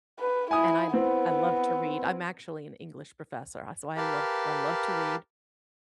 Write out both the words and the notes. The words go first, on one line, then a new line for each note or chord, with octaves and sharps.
and I I love to read. I'm actually an English professor, so I love I love to read,
B4
E4 G#5 D#6
B3 C4 E4
G4 A#4 B4 F5 A5